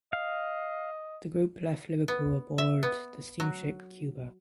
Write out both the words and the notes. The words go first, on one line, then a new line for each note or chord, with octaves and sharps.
The group left Liverpool aboard the steamship "Cuba".
D#5 F5
B3
E5
B3
F#3